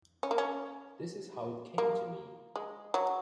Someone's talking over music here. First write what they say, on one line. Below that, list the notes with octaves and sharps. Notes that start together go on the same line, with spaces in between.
This is how it came to me...
C#4
A#3
C#4
A#3
G#3
F#3